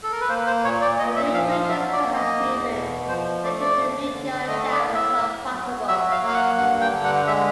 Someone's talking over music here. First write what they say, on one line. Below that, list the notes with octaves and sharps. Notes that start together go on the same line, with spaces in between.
But new craters, perhaps even related to meteor showers are possible.
A4
A#4
B4
A#3 C5
C5
A#2 C#5
D5
A#2 D#5
E5
F3 F5
F5
F#3 E5
D5
A#3
D#5
E2
B2
F3 C5
A3 D5
D5
D#2
D3
A3 D#5
D5
A2
E5
A2
F#3
F#3 E5
F5
A#3 F5
F#5
G2 F#5
G5
D3
F#5
G#3 E5